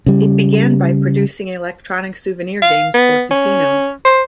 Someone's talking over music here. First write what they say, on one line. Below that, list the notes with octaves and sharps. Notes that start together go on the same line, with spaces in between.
It began by producing electronic souvenir games for casinos.
C#3 G3
F5
B3
C#4
C5